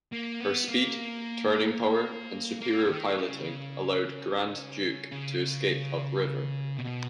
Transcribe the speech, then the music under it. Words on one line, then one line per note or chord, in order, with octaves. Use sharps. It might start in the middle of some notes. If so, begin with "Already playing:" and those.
Her speed, turning power, and superior piloting allowed "Grand Duke" to escape up river.
A#3
B3
A#3
A#3
C#3
D#3
C#3
C#3
B2